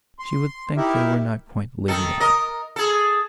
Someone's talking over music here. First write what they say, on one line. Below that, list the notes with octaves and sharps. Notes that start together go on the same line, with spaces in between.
She would think they were not quite ladylike.
C6
D#4 E4 G4 A#4 E5
D#3 A4
A#4 D#5
G#4 A4